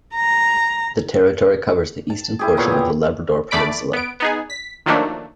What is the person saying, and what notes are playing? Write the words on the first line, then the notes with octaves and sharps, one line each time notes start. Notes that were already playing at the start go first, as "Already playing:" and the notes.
The territory covers the eastern portion of the Labrador peninsula.
A#5
A5
E4 G4 G#4
A#2 B3 C#5 A#5
G4
E2 A3 D5 B5 B6 D7
B3 D7
B3 D#4 G#4
B6
D#3 F3 F#3 A3 A#3 D4